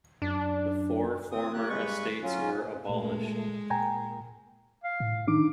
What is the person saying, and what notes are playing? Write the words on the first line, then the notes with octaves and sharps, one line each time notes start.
The four former estates were abolished.
F#2 D4
C4 D#6
A#3 G4 F#6
G2 G#3 B4 C#6
F#3 C#4 F4
A#2 G#3 A3
A#2 G5 G#5 A#5
F5
A2
D#3 D4 D#4 D6